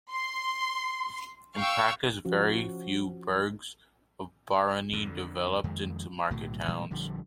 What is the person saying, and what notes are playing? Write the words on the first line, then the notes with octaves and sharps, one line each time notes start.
In practice very few burghs of barony developed into market towns.
C6
F5 G5 C#6 E6
F3 C#4 F#4
F2 D3
F2 D#3 G#3
B1 A2 D3 F#3
A#2 E3 G3 G#3
A#1 D3 F3 G3